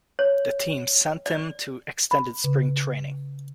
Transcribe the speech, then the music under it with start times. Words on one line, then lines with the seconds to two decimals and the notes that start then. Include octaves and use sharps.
The team sent him to extended spring training.
0.19 C#5
1.26 D5
2.11 B5
2.44 C#3